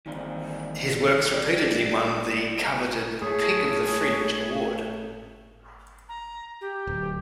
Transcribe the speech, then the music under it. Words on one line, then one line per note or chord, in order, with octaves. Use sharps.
His works repeatedly won the coveted "Pick of the Fringe" award.
D#3 E3 G3 A#3 C4 A#4
G3 D5
A2 A3 G#4 C#5
A#5
G4
D1